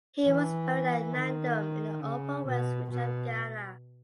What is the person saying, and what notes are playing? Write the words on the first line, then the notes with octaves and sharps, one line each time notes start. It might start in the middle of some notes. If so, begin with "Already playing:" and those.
He was buried at Nandom in the Upper West Region of Ghana.
E3
D#3
C#3
B2
B2